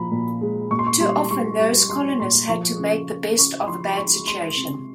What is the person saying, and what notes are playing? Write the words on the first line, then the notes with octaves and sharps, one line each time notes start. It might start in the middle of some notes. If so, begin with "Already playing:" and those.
Too often, those colonists had to make the best of a bad situation.
Already playing: A#2 F3 A#5 B5
A#2
G#3
A#2 C#6
C6
C#6
G3 C6
G3 C#6
G3 C#6
G3 C6
A#2 C6
F3 C#6
C#3
C#3
C#3 C#6
B5
F3 C6
G#3 C#6
G#3 C6
C3